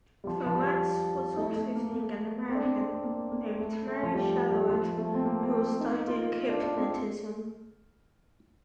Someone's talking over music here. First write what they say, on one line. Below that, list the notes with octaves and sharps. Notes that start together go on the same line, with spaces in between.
Ploetz was also seeing an American named Mary Sherwood who was studying hypnotism.
G3
F3
F3
G3
A3
A3
A#3
A#3
C4
D4
C4
C4
A#3
A#3
A3
A3
F3
G3
G3
F3
A3
C4
A#3
C4
D#4
F4
D4
D4
C4